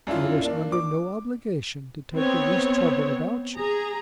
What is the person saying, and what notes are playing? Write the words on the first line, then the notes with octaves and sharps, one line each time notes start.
I was under no obligation to take the least trouble about you.
F#2 D4 E4 F4
A#3 D4
D6
B3 C4 C#5
G#4 A#5